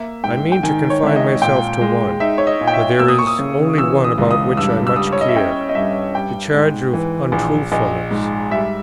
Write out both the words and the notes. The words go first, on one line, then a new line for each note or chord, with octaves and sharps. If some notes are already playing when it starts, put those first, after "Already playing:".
I mean to confine myself to one, for there is only one about which I much care,--the charge of Untruthfulness.
Already playing: A#3 E5
G#2 G5
G5
D#3 G#5
C#5
G#1 E5
D#5
A#2 G5
G#3
D#4 E5
C#5
D#5
A#2
G5
E5
A#3 E6
D#6
C#6
D#6
C#3
E3 E6
D#6
C#2
D#6
G2 E6
E6
G3 D#6
C#5
D#5
E5
C#4 G5
D#5
G2 E5
G3 G5
G#2
E3
A#1
A#1 D#5
G#2
G3 E5